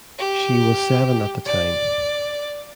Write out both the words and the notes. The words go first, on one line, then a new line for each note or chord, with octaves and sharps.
She was seven at the time.
G4
D5